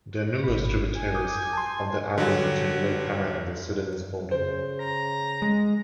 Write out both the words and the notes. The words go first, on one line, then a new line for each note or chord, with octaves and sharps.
There are numerous tributaries of the Abay between Lake Tana and the Sudanese border.
G#1 B5
G#5
D6 D#6 G6
A5 C6
D3 F#3 G3
C#3 C5
A#5
G#3